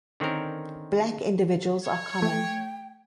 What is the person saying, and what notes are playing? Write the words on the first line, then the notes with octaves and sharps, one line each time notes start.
Black individuals are common.
D3 D#3 C4 C#4 A#4
C#5
A3 G5